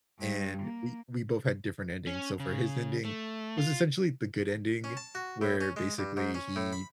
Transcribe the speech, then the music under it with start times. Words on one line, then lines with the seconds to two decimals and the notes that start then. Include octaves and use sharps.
and, we we both had different endings. So for his ending, it was essentially the good ending where, basically, he
0.19 G2
0.62 A#3
2.07 C#4
2.40 C#3
3.05 A3
3.58 F4
4.84 C#4
4.97 A5
5.15 F#4
5.41 A2
5.61 C#4
5.76 G#3
5.99 G2
6.17 G#2
6.35 C#4
6.56 A2
6.72 B5